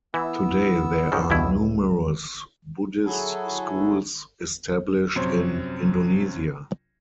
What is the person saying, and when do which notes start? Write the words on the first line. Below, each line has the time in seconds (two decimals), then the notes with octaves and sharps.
Today there are numerous Buddhist schools established in Indonesia.
0.14 E3 B3 E4 E6
1.12 C#2 G#2 D#3
1.30 C#2 G2 B2 E4
3.05 F#3 E4 F#4 G#4 A4
5.16 A#1 F#2 C3 C#5 C6